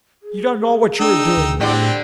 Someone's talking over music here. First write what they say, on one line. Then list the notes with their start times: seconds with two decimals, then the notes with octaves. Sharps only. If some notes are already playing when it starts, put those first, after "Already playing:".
You don't know what you are doing.
0.23 G#4
1.00 D4 D#4 G5 E6
1.37 D2
1.60 A2 D3 G3 C4 D5 G5